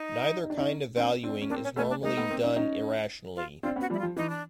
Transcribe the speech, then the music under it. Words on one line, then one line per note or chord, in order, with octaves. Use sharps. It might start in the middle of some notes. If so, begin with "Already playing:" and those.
Neither kind of valuing is normally done irrationally.
Already playing: D#4
D#4
D4
C#4 D#4
C4 D4
C4 D4
C#4
A#3 C4 D4
C#4
A3 B3 C#4
D4
G#3 A#3 D#4
A3 B3
A#3 C4
C#4 D#4
C#4 D#4
F4
C4 D4 F4
B3 C#4
F#4
F3 G3
E4
F4
F3
E3 D#4
D4